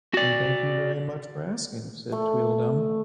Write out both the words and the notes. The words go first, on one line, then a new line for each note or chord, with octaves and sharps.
And thank you very much for asking,’ said Tweedledum.
F#4 D5
A3